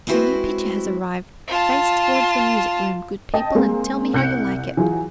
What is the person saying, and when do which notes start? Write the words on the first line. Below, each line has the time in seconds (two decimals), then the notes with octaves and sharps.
'A new picture has arrived; face towards the music-room, good people, and tell me how you like it.
0.07 G#3 C4 E4 F#4 B4 C5
1.47 F4 A5
3.34 D#5 G5 A5
3.55 G#3 A#3 C4
4.13 C2 F#6 G6 C#7
4.77 E3 F#3 F4 G#4